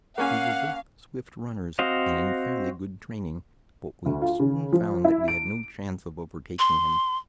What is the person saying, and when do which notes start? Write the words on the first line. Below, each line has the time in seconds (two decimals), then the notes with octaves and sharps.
We were both swift runners and in fairly good training, but we soon found that we had no chance of overtaking him.
0.18 A#3 C#4 F5 F#5 G#5
1.79 C4 F#4 C5 D#5 F5
4.06 D2
4.22 F4
4.40 C#3
4.73 F3
5.04 E4
5.28 D7
6.59 C6